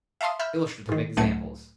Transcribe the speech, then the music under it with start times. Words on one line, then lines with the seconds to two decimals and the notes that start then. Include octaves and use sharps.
Illustrative examples.
0.21 E5 F5 A5 C6 D#6
0.39 E5 B5 F6 G6
0.89 G#2 D#3
1.17 C#2 A2 F#3 A3 G#6 C#7